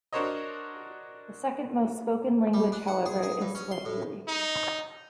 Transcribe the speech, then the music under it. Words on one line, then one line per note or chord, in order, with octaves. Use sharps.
The second most-spoken language however is Swahili.
D4 F#4 A#4 C5 C#5 D#5
G3
D4
F#5
G#4
G#4
G2
C#4
C6
A2
D#4